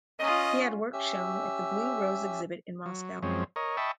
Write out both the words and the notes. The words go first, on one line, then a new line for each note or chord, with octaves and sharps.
He had works shown at the Blue Rose Exhibit in Moscow.
C#4 F4 D#5
C#4 G4 E5 E6
F#3
F#2 F3 G#3 C4 C#4
A#4 C#5 D#5
D#5 E5 G5 A5 B5 C#6